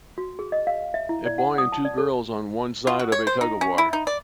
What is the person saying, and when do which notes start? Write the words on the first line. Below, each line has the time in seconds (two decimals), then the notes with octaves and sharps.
A boy and two girls on one side of a tugofwar.
0.18 F#4
0.39 G#4
0.52 D#5
0.67 F5
0.94 E5
1.09 E4
1.26 D5
1.38 F#5
1.58 D#6
1.72 A5
1.85 D5
1.98 A4
2.87 F4
2.99 F#4
3.12 C#5
3.27 C5
3.41 D#4
3.61 C#4
3.78 E4
3.93 D#4
4.07 D5